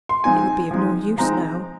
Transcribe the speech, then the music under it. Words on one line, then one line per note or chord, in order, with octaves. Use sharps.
It would be of no use now.
C6
F3 G#3 C4 D#4 G#5
F3 G#3 C4 D#4
F3 G#3 C4 D#4 A#5